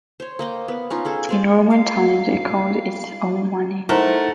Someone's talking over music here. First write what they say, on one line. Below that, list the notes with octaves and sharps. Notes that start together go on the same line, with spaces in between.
In Roman times, it coined its own money.
C5 C#5
A#3 D#5 G5
B3
C#4 D#4 F4
G#4 A4 G5
G#4 C5 D5
F5
A3 D#4 E4 A#4 C5 F#5